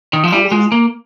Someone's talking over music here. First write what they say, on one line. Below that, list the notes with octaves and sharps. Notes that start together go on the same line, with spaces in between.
I wanna
D#3
F3
G3
G#3
A#3